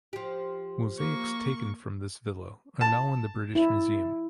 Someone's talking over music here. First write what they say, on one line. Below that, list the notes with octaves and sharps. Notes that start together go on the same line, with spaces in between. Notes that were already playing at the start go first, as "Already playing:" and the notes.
Mosaics taken from this villa are now in the British Museum.
F3 G4
A#3 C#6
A5
E4